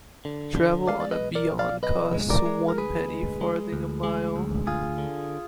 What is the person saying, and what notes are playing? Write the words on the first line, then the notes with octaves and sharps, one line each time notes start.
Travel on a 'Bian' cost one penny farthing a mile.
D3
D3
G#3 D5 F5
D5
B4 D#5
B1
A#4 D5
B1
D5 F5
B1 B4 D#5
G#3
A#4 D5
G#3
A#4
D2 G#4 B4
G#3
G#3
D2
G#3
D2
D2 F4 G#4
D3